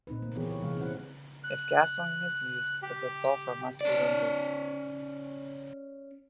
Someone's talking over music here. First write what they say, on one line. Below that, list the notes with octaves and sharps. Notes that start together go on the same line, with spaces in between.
If gasoline is used, the sulfur must be removed.
A#2 C4 D#4 B4
A#3
E3 B3 G4 G#4 C#5
B4 C#5
C3 E3 G#3 F5
C4 C#4 E4 B4 F#5
F#6
G4
C#4 D5